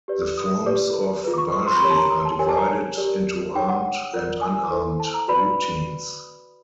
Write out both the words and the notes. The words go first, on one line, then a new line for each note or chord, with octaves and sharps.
The forms of baji are divided into armed and unarmed routines.
G4 B4 D5
D#6
G4 B4 D5 D6
F4 G#4 B4
D6
C#6
C#6
C6
B5
G4 A#4 C#5 C6
A5
A#5
A#5
A5
G4 A#4 C#5 G#5
A5
A#5
A5
G4 A#4 D5
D#4 G#4 C#5 G5
F#5
F4 A#4 D5
G#5
E4 A4 C5
A5
A#5
F#4 B4 D5 B5